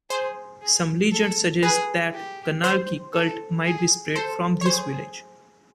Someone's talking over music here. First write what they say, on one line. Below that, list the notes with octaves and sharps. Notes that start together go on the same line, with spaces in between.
Some legends suggest that Kannaki Cult might be spread from this village.
G#4 C5
G#4
A4
G#4 B4
G4
C5
A4
G#4
A4 C5
C#5
G#4 C5